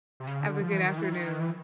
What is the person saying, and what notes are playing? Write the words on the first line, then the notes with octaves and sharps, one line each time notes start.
Have a good afternoon.
C3
C#3
D3
F3
E3
D#3
E3
D#3
E3